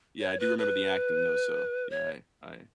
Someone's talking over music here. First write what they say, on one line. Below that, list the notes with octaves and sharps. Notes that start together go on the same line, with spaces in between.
yeah, I do remember the acting, though, so yeah, I I
C#5
B4
B4
C#5